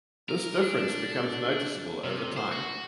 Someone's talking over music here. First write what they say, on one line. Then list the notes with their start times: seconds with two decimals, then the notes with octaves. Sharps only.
This difference becomes noticeable over time.
0.29 A#4
0.62 D4
2.04 C3
2.37 C5
2.52 F#4